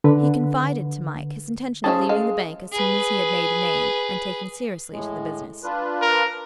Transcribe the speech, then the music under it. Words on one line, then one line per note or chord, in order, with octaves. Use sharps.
He confided to Mike his intention of leaving the bank as soon as he had made a name, and taking seriously to the business.
D3 B4
F3 A3 C#4 G#4 A5
G#3 G#4 F5
G#4 B4
A2 G#3
D4 F4 B4
A#4